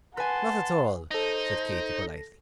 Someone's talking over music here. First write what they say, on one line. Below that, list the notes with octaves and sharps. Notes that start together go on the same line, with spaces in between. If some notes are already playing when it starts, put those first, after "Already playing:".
"Not at all," said Katy, politely.
B4 F#5 G#5 A5 C6
D#4 A4 C5 A#6